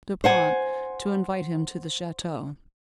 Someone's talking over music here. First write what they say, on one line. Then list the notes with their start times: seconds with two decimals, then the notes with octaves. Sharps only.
Du Pont to invite him to the chateau.
0.24 C5 F#5 G#5